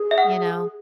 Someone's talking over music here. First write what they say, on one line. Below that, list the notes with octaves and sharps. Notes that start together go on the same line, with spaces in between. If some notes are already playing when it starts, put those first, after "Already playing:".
You know?
Already playing: G#4
E5
F#5